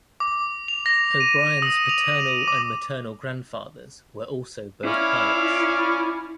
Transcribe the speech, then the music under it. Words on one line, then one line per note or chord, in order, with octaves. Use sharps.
O'Brien's paternal and maternal grandfathers were also both pilots.
D6
F7
A#6
D#7
D#6
F7
D#7
D6
C#4 E4 D5 F5